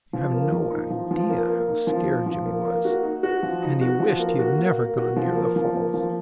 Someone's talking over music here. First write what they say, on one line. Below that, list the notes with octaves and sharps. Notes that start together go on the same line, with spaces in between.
You have no idea how scared Jimmie was, and he wished he had never gone near the falls.
F3
A#3
F3
D#4
F3
F3
A#3
A#3
D#4
F3
D#4
F3
A#3
A#3
F#4
D#4
F#4
F3
D#4
F#4
F3
A#3
F#4
A#3
A#3
F#4
F3
A#3
F3
A#3
F3